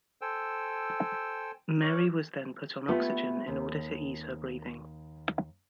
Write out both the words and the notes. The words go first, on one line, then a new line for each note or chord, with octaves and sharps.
Mary was then put on oxygen in order to ease her breathing.
A4 C5 G5 G#5 E6
A#4 C#5 C#6 D6
A3 B3 F4 G4 B4
D#2